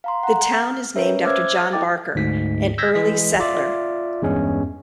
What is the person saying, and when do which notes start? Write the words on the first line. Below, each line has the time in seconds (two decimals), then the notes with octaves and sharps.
The town is named after John Barker, an early settler.
0.04 F5 A#5 C6
0.23 F#5 A#5
0.63 F6
0.96 C#4 A#4 B4 C#5 E5
1.24 C5 E5 D6 E6 F6 G#6
1.72 E4 A4 D#5 G5 D6 A6
2.15 D2 G#2 B6
2.78 E6 G6 G#6 A#6 B6
2.95 E3 G#3 B6
3.39 F4 D5 E5
4.22 E2 G2 G#3 C#4